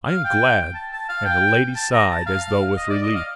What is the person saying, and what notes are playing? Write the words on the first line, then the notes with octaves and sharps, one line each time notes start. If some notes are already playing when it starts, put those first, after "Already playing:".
"I am glad," and the lady sighed as though with relief.
F5
G5
A5
A5
F5
G5
A5
A#5
A5
F5
D#5
D5
D#5
F5